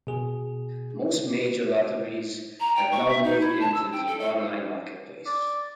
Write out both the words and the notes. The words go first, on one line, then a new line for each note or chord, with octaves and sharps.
Most major Lotteries have now moved into the online marketplace.
B2 G#4
A#5
G5
C#6
E5
D#4
E4
A5
E6
G5
A4
A4
D5